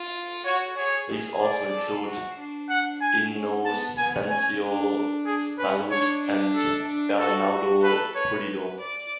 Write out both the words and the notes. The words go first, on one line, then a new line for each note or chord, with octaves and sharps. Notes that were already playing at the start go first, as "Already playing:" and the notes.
These also include Inocencio Salud and Bernardo Pulido.
Already playing: F4
F#4 C#5
G#4 C#5
D5
A4
F#4
D4
F#5
G#5
C#4
B3 A5
B3 G#5
C#4 G#5
D4
D4 G#4
C#4 B4
D4 C#5
D4
A4
D4
F#4 A4
A4 B4
B4 C#5
D5